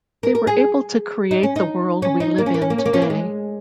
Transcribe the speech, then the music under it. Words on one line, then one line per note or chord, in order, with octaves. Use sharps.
They were able to create the world we live in today.
A#4
A#4
G#4
D#4
C#4
D#4
C#4
D#4
A#3
C#4
A#3
C#4
A#3
C#4
A#3
C#4
A#3
G#3